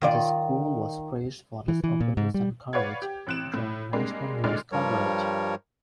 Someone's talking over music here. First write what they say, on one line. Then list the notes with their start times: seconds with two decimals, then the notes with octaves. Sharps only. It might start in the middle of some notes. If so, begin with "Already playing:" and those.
The school was praised for its openness and courage, drawing national news coverage.
0.02 D#3 F4 D5
1.68 E3
1.84 E3
2.00 A#2
2.17 G#2
2.34 G3
2.73 B4 C#5 D5 F5 F#5 G#6
3.02 G4
3.27 A1 C4 F#6 D7 E7
3.54 A2
3.93 G3 G#3 A#3 C4 D4
4.44 D2 D3 G#3 D#4 D5 F6
4.72 G2 F3 G3 A#4 C#5